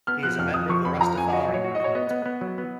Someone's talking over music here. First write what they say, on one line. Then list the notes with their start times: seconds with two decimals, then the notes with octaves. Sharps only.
He is a member of the Rastafari movement.
0.07 B3 F6
0.23 F3 F#6
0.39 F2 F6
0.54 F2 D#6
0.69 F3 C#6
0.85 F2 B5
1.01 F3 A#5
1.17 F2 G#5
1.33 F#4 D#5
1.48 F#3
1.54 C#5
1.64 F#4
1.75 D#5
1.80 F#4 C#5
1.95 B3 D#5
2.11 B3
2.26 B3
2.41 F#3
2.58 B3